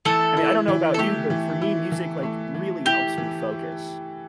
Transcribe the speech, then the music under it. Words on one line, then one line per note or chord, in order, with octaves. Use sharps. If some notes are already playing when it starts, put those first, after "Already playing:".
I mean, I don't know about you, but for me, music, like, really helps me focus.
E3 A3 A4
E4
E3
A4
A3 G4
E3
E4
E3
A3
E3
E4 G4
E3